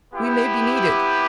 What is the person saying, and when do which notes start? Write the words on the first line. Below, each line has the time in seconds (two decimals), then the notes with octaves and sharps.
"We may be needed."
0.13 B3 E4 G4